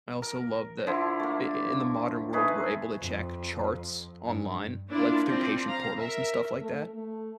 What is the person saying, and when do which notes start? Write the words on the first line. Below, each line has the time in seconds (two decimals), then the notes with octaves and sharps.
I also love that in in the modern world, we're able to check charts online, like through patient portals and stuff like that.
0.22 A#4
0.87 D3 F3 E4
1.20 A3 A#3
2.33 A3 D#4 G#4 B4
2.99 F2
4.24 G2
4.89 A#3 D4 E4 F4 D5
5.25 F3 C4 D5
5.66 F5 A#5
6.00 A#4 E5
6.61 A3
6.95 A3